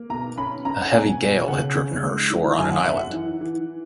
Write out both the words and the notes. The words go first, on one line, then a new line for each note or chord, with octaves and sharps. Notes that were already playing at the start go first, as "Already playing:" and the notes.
A heavy gale had driven her ashore on an island.
Already playing: A#3
B2 A#5
C#4 B5
C#4 A#5
F#5
B2 G#5
B2
C#3 F#5
C#3
G#3
E3
F#2 G#5
F#5
F#2 E5
F#5
E3
E3